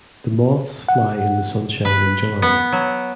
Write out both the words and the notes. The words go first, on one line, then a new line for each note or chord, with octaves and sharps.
The moths fly in the sunshine in July.
F#5
B4
B3
F#3